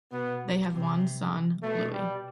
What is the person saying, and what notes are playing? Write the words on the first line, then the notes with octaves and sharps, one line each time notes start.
They have one son, Louis.
B2 B3
C3
B2 A3
G3